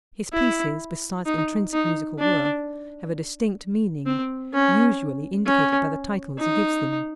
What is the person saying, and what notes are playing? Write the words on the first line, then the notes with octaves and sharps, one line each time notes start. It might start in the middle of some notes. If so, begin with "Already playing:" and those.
His pieces, besides intrinsic musical worth, have a distinct meaning, usually indicated by the titles he gives them.
E4
D#4
D#4
D4
C4
C#4
C#4
D#4